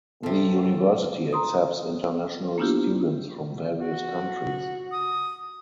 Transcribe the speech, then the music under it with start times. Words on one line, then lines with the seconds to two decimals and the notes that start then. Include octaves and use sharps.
The University accepts international students from various countries.
0.23 C3 F3 A4
1.33 A#5 C6 D#6
2.58 A#3 B3 D4 E4 F4 G4
3.80 F#4
4.93 D#6